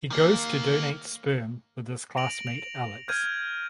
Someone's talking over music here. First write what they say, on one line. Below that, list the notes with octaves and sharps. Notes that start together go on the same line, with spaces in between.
He goes to donate sperm with his classmate Alex.
D#3 A#3
A#6 D7 F7 F#7
F7
F6 G6 G#6 D#7